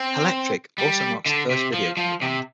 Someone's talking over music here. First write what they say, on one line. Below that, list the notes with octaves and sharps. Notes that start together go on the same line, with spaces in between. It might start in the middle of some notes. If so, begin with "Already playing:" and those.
Hellectric also marks the first video from the band.
Already playing: C4
G3
D3
C3
F3
F3
C3